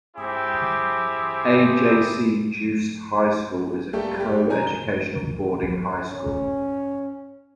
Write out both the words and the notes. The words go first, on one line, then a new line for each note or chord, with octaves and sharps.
A. J. C. Jooste High School is a coeducational boarding high school.
C4 E4 G4 G#4
G3 A3 A#3 G4 A4
G3 G4
B2 G#5 A#5
G7
C#4